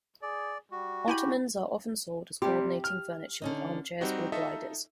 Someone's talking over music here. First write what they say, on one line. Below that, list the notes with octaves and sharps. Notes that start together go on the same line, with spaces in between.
Ottomans are often sold as coordinating furniture with armchairs or gliders.
G#4 D5
G3 F#4
E4 G4 G#5 B5
C3 G3 G4
F6
D3 C#4 D#4
G3 C4 D#4 F#4 G4
D#4 F4 A4 D#5 E5